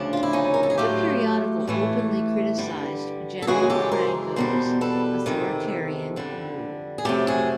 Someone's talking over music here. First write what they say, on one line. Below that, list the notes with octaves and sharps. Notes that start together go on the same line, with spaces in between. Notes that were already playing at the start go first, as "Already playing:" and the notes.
The periodical openly criticized General Franco's authoritarian rule.
Already playing: D2 C#3 F3 D4
F4
E4
C#4 D#4
A#4
A4
G#4
A2 F#3 A3 F4 G4
A2 E3 A3
G2 D3 G3
A4
F#2 C#3 E3 G#3 F#4 G#4
G4 A4
A#4 C5
E2 B2 G3 A#4 C5
A4 B4
E2 C3 D#3
F2 D3 G3
G#4
F2 C3 D#3 F#3 A3 G4 A4
F#4 G#4